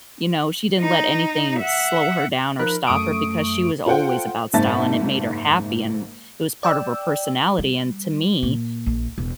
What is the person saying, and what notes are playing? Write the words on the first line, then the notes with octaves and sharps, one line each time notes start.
you know, she didn't let anything slow her down or stop her because she was always about style, and it made her happy, and it was part of her personality. And to me,
D#4
E5 F#5
F3 D#4 A#4 B5 F#6
F#2 A3 C#6 D#6 D7
F4 A4 C5 F#5 G5
F#1 G#2 C4 E5 A5 A6
D5 G5 E6
G3
A#2
A#1
E1